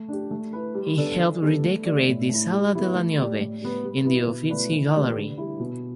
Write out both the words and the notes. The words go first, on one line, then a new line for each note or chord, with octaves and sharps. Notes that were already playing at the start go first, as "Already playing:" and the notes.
He helped redecorate the "Sala della Niobe" in the Uffizi Gallery.
Already playing: A3
D4 G4
A3
E4 B4
G3
B3 D4 A4 D5
E3
G3 B3 D4 A4
A3
G4 D5
A2
A3 E4
G3
B3 E4 G4
A3
G4 D5
A2
G3 B3
G3
B3 E4 B4
B2
A3 E4 B4 D5
E3
A3 G4 B4 D5
D3
G3 E4
B2